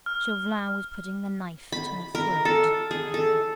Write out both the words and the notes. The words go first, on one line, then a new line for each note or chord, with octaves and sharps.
Chauvelin was putting the knife to her throat.
F6
B5
A#4
A4
G#4
A4